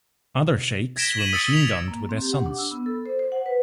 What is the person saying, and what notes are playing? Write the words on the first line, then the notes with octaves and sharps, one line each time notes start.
Other sheikhs were machine gunned with their sons.
G#6 A#6 B6 D7 E7 G7
B6 D#7 E7 F#7
D#6 E6 A6 C#7 D7
B6 F7
A#3
C4
G4
F#5
D4
E6
B3
A4
C5
C5
F#5
B4